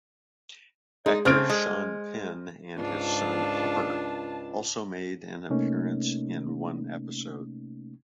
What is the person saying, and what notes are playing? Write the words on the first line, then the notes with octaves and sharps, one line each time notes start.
Actor Sean Penn and his son Hopper also made an appearance in one episode.
G#3 D#4
C#3 A3 C4 C5 F6 D7
G#3
C#2 G#2 D4 F4 A5
C3 A3 A#3 C#4 D#4